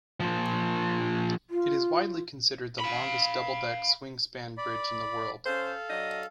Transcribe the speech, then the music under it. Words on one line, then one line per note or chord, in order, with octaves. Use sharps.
It is widely considered the longest double-deck swing-span bridge in the world.
A#2 F3
F4
F5 B5
D5 B5
C#4 A4 C5 F5
F#3 D4 D#5